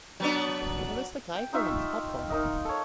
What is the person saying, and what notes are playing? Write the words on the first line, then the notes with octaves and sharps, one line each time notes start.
Who is the guy who wants popcorn?
F#3 B3 D4
G5
D#4 F4 E5 C#6
D#4 A#4 D#5
A4 C#5